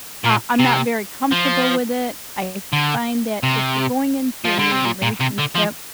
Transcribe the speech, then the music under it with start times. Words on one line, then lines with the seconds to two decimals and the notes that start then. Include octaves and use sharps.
Uh, I'm not very comfortable with it. I find that if you're going into a new relationship
0.25 A#2
0.60 C3
1.31 F3
2.73 D3
3.43 C3
4.45 F3
4.59 D3
4.72 C3
4.85 A#2
5.02 A#2
5.20 C3
5.38 D3
5.55 F3